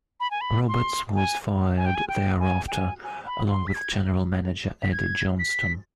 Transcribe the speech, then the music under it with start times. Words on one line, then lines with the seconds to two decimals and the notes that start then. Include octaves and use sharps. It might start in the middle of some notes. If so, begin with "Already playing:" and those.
Roberts was fired thereafter, along with General Manager Eddie Johnston.
0.20 B5
0.31 G#5
0.41 B5
0.68 C6
1.15 G#5
1.77 G#5
1.86 G5
1.95 G#5
2.09 G5
2.40 G#5
2.68 G5
2.72 G#5
3.04 G#5
3.26 B5
3.50 C6
3.67 B6
3.74 G#6
4.83 B6
4.92 G#6
5.39 B6